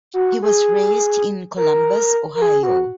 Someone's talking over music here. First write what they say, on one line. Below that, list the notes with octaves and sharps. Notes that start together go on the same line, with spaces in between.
He was raised in Columbus, Ohio.
F#4
G#4
A#4
A#4
G#4
F#4